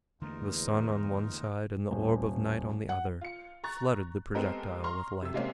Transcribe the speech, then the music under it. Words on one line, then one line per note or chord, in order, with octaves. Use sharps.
The sun on one side, and the orb of night on the other, flooded the projectile with light.
E2 D3 A3 A#3 D#4 F4 A#4
D#1
F#5
F4 C#7
A#5 C#6 F#6 A6
G#3 B3 C4 G4 A4 A#4
A#5 C6 C#6 F6
C3 E6
C3 G#3 A#3 C4 C#4